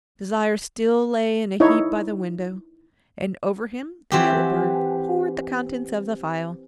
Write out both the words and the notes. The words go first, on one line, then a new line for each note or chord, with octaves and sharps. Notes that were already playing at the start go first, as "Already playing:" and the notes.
Desire still lay in a heap by the window, and over him the yellow bird poured the contents of the phial.
D#4 E4 C#5
E3 C4 F#4 G4